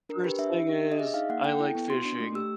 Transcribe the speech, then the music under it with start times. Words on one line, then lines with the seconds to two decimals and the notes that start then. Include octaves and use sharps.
First thing is I like fishing,
0.09 D4 A#4
0.24 G4 B4
0.39 D4 E5
0.55 D4
0.69 G4
0.84 D4
0.92 D#5
0.99 G#4 E5
1.14 D#4 F5
1.29 A#3 F#5
1.44 A4 G5
1.60 E4
1.75 B3
1.90 F#4 C6
2.05 D4
2.20 A3
2.35 G4 E6